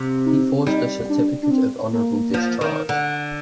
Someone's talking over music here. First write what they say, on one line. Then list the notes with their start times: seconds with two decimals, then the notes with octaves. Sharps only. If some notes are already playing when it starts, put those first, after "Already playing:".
He forged a certificate of honorable discharge.
Already playing: C3
0.25 D#4
0.67 G3 D#4
1.09 D4
1.42 D4
1.50 C4
1.93 A#3
2.34 F3
2.61 D#3
2.89 D3